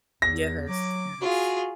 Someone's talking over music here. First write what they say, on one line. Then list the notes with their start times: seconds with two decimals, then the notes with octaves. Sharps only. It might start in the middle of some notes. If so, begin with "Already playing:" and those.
Yes, yes.
0.22 E2 A#6
0.69 F#3 D6
1.21 F4 F#4 G#4